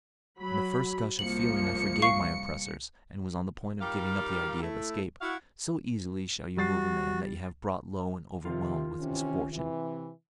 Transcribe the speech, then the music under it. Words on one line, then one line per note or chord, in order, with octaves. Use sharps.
In the first gush of feeling I forgave my oppressors, and was on the point of giving up the idea of escape; so easily shall you move a man that you have brought low and overwhelmed with misfortune.
F#3 B5
C2 F3 A#3 C#7 F#7
F5 C#6 C7
G3 D#4 F4 G4 A#4 F5
A3 E4
E4 F#4 F5
G3 F#4 A6 C7
C3 D#3 F4
C3 E3 C#4
C3 E3